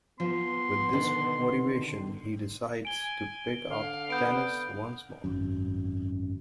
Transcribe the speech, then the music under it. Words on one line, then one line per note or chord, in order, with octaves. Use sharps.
With this motivation, he decides to pick up tennis once more.
F3 B3 C6
B2 D3 D#3
G#5 D7 G7
D3 F5
B3 G6 D7
G#1 F#2